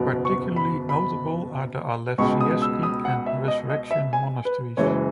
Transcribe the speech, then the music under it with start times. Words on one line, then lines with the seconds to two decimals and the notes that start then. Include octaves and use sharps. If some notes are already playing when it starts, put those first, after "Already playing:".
Particularly notable are the Alexeievsky and Resurrection monasteries.
Already playing: F#1 E2 B2 F#3 B3
0.25 C#6
0.56 B5
0.89 B5
2.18 C#2 B2 G#3 C#6
2.41 D#6
2.62 E6
2.83 D#6
3.05 F#5
3.26 E5
3.48 D#5
3.70 D#5
3.91 E5
4.13 G#5
4.45 B4
4.77 F#1 F#2 E3 G#3 C#5